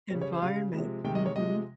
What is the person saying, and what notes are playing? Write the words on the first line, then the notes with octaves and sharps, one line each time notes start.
Environment, mhm.
C#3 G3 C#5
C#5
C5
C#3 G3 F5
C3 F3 G#3
C3 D#3 G#3 G5
D#5
C#5
C3 F3 G#3 D#5